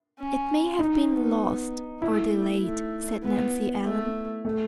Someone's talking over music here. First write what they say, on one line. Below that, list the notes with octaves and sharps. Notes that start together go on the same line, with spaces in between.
"It may have been lost or delayed," said Nancy Ellen.
C#4
D#4
B3
A3 E4
A3
B3
A3
A3